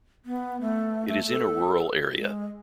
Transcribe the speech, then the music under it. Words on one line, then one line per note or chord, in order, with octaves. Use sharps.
It is in a rural area.
B3
A3
A3
A4
G#3